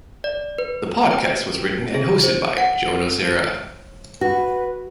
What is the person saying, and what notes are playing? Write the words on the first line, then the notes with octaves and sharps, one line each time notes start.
The podcast was written and hosted by Joe Nocera.
D5
B4
G5
G#4
C5
F#5
F#4 B4